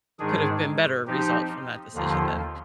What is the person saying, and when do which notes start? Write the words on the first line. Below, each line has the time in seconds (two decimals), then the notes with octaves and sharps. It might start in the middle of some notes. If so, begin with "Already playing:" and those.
could have been better result from that decision then?
0.19 G#2 D#3 G#3 D4 G#4
1.07 F3 C4 D#4 G4
1.94 D#2 D3 F3 A#3 F4